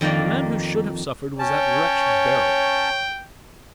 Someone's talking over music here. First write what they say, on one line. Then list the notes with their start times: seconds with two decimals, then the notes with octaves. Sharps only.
"The man who should have suffered was that wretch Beryl."
0.01 F2 D#3 A#3 D5
1.39 C#4 C#5 G5 A5